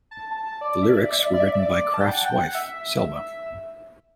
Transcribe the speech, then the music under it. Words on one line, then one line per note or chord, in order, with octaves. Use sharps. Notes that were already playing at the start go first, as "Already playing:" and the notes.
The lyrics were written by Craft's wife, Selma.
A5
A5
A5
D5
D5
E5
D5
E5
D5
E5
D5
E5
D5
E5
D5
E5
D5
A5
G5
F#5
A5
G5
F#5
E5